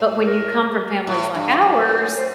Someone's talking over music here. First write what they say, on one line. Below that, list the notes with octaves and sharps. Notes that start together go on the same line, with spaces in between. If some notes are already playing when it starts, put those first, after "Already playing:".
but when you come from families like ours
Already playing: A2
A#4
A2
G2
F#2
B4
A#4
C5